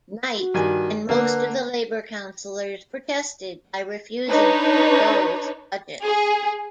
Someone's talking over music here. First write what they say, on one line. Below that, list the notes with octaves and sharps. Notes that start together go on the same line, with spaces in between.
Knight and most of the Labour councillors protested by refusing to propose budgets.
F#4
G2 D#3 G#5
D3 A#3 B4
D4 D#4 B4 C#5
G#4